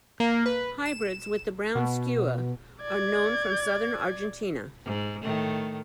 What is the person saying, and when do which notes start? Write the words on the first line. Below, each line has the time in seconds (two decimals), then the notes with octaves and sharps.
Hybrids with the brown skua are known from southern Argentina.
0.20 A#3
0.46 B4
0.86 E7
1.75 B2
2.82 D5 G#6
4.85 G#2
5.22 A2 D#3 A3